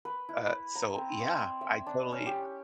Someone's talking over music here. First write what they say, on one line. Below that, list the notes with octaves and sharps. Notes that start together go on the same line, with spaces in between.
Uh, so yeah, I totally
B4
E4
B4
A#5
C4
D5
E5
D4
C#4
G4